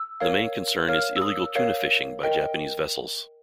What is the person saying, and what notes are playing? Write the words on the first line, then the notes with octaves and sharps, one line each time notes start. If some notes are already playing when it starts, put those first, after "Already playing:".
The main concern is illegal tuna fishing by Japanese vessels.
Already playing: E6
A#4 C#5 F5
A#4 C#5 F5 F6
E6
D#6
A#4 C#5 F5
A#4 D#5 G5